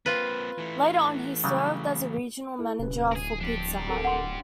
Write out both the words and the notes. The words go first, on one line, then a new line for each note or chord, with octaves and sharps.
Later on, he served as a regional manager for Pizza Hut.
A#3 C4 F4 B4
E3 A3
C#3 F#3 G3
E4 A4
D1 C3 C#4 B4
G#4 A#4
D2 F3 D4 G4
C4 A4 A#4
F#5 C6